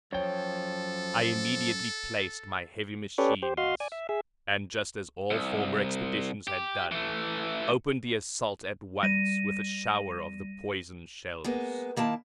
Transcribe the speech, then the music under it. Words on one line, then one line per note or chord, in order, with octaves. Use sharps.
I immediately placed my heavy machines, and just as all former expeditions had done, opened the assault at once with a shower of the poison shells.
F#2 F3 A4 C#5 G5
C#4 G4 A4 B4 C#5 D5
G4 C5
F#4 D#5 F5 C6
D5 G#5
E5
G#4 E5
C2
G4
E3 A3
G3 A#6 D#7
G#3 A#3 B3
D#3 A#3 E4 A5